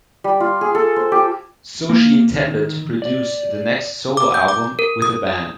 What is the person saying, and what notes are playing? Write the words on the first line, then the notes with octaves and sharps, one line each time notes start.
So she intended to produce the next solo album with a band.
G3
F4
G#4
A4
C5
G4
A#3
D#3
D5
D6
G6
D6
A#4
D#6